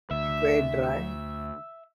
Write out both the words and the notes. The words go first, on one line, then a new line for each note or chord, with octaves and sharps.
It weighed dry.
D2 E5